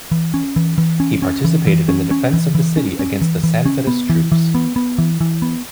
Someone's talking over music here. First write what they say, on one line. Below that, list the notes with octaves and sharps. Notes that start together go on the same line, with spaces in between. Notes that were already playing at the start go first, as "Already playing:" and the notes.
He participated in the defence of the city against the Sanfedist troops.
E3
C#4
E3
E3
C#4
C#4
E3
E3
C#4
C#4
E3
E3
C#4
C#4
E3
E3
C#4
B3
E3
E3
B3
B3
E3
E3
B3